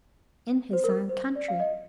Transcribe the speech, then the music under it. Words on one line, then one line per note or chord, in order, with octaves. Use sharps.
"In his own country."
C5
A#4
C5
D5
F5
D#5